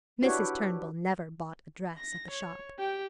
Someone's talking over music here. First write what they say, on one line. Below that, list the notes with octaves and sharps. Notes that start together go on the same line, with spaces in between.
Mrs. Turnbull never bought a dress at the shop.
D4 E4 F#4 G4 B4 C#5
A#6
C#5
G4 G5